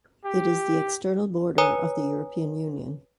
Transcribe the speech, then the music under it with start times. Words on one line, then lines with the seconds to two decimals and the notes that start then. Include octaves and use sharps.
It is the external border of the European Union.
0.24 G4
1.58 B4 C#5 G#5 A#5 D#6